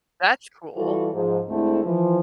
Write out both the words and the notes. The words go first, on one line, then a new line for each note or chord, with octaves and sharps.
That's cool.
E3 G3 F4 F#4 A4
G#2 F3 C5
D2 G#3 A3 C4 E4 A4
E3 F3